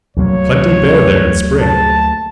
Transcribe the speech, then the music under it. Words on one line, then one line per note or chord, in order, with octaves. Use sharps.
"Plenty bear there in spring!"
D2 F#3 A#3 C#5
A5